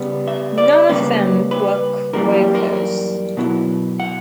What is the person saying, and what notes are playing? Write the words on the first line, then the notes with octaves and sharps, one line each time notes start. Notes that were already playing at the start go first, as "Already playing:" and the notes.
None of them were Quakers.
Already playing: C#3 G3 B3
E5
D5
C#3 G3 A#3 C#4 B4
B4
F#2 E3 G3 A#3 A#4
G4
A#4
B2 F#3 B3 E4
F#5